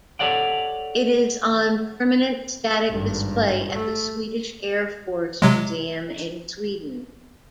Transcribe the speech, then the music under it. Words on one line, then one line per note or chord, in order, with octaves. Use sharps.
It is on permanent static display at the Swedish Air Force Museum in Sweden.
G4 A4 C#5 D5 F#5 G5
G#1 G2
A3
C3 F#3 G#3